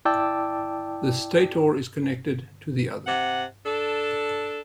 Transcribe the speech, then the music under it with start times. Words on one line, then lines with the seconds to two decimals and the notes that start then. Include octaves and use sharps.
The stator is connected to the other.
0.05 E4 D5 G5 A5 D6 E6
3.06 C3 F#5
3.65 D4 A4